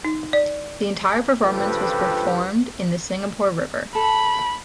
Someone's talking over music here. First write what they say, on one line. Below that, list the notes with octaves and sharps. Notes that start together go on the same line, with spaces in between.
The entire performance was performed in the Singapore River.
D#4
D5
C#2 G2 F3 G4 A4 B4
A4 B5